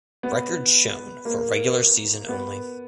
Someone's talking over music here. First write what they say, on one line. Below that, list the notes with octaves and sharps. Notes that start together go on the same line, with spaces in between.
Records shown for regular season only.
B3
A#3
B3